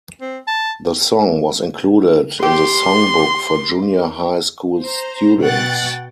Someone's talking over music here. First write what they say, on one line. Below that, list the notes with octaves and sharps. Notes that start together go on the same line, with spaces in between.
The song was included in the songbook for Junior High School students.
C4
A5
G4 C6
C5 A#5
B2 F#5 G5 F#6 A6